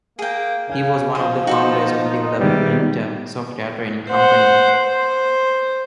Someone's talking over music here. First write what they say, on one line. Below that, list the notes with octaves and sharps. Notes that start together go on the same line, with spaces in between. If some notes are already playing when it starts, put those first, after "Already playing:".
He was one of the founders of the DevelopMentor software training company.
A#3 G#4 G5
C#3 F5
F3 G#4 C5 D#5
D#4 F#4 A4 C5
C3 D#3 G3 G#3 B3
C5 F#5
C5